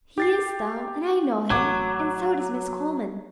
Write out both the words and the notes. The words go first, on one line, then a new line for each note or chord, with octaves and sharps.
"He is, though; and I know him, and so does Miss Coleman."
G4 A6 C7
A1 A2 F#3 D6 G#6